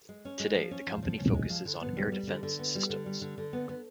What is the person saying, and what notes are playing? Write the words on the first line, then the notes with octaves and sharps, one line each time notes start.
Today the company focuses on air defense systems.
G#3
C#4
G#3
F3
C#4
F3
F3
C#4
G#3
F3
D3
B3
G3
G3
D3
D3
B3
G3
D3
G3
D3
D3
B3
B3